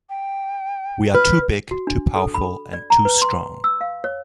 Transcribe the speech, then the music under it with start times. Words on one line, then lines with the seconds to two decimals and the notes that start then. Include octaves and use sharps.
We are too big, too powerful, and too strong.
0.09 G5
1.14 B4 F6
1.71 F#4
1.87 D4
2.16 A4
2.34 B5
2.73 D5
2.90 A#5
3.05 B4
3.22 C6
3.64 E6
3.81 F5
4.04 C#5